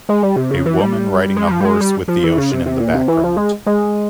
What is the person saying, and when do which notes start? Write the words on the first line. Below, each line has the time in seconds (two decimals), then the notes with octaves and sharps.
A woman riding a horse with the ocean in the background.
0.09 G#3
0.23 G3
0.36 C3
0.51 C#3
0.66 E3
0.80 G3
1.36 G#3
1.47 G3
1.51 F3
1.61 G3
1.65 G#3
1.80 G3
2.08 F3
2.23 E3
2.37 C#3
2.51 C3
2.66 C3
2.79 A#2
2.95 C3
3.08 E3
3.23 F3
3.37 G#3
3.66 G#3